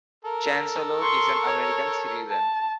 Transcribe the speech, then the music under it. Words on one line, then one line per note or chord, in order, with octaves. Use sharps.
Chancellor is an American citizen.
A4 A#4
C6 C#6
C#5
A5